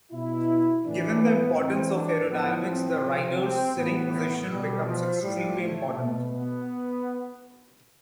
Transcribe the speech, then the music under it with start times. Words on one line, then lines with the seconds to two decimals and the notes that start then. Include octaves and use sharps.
Given the importance of aerodynamics, the riders' sitting position becomes extremely important.
0.12 B2 E4
0.85 A2 E3 D4
1.21 B3
1.58 A2 E3 C4
1.94 D4
2.30 A2 F3 B3
2.67 C4
3.03 C3 F3
3.40 C4
3.76 A2 E3 B3
4.49 B2 G3
4.86 F3
5.22 A2 F3 G3
5.59 A3
5.96 B2
6.32 B3